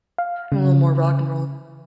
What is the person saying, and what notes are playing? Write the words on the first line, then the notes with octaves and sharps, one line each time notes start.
I'm a little more rock and roll.
F5
C#3